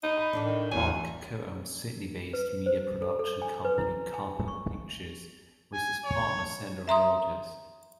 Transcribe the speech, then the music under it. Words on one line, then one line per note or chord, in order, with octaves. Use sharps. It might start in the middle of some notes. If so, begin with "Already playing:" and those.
Mark co-owns Sydney based media production company Kapow Pictures with his partner Sandra Walters.
D#4 B5
B5
A2 E3 D4
D#3
A1 E2 F#3 G#5
B4
C5
A4
A4
G#5
B4
E4
G#5
C#6
G#5
C#5
E5 A#5 C6 D#6